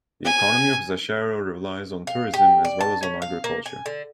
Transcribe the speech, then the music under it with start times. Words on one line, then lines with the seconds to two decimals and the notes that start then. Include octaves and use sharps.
The economy of Zacharo relies on tourism as well as on agriculture.
0.25 G#5
2.07 F5
2.34 G4
2.65 D5
2.81 A5
3.03 C#4
3.22 F5
3.44 A#3
3.66 G#5
3.86 D3